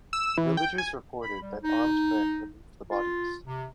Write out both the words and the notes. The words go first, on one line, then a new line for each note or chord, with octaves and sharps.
Villagers reported that armed men removed the bodies.
E6
E3
G5
G#5
B5
G3
D#4
F4
C3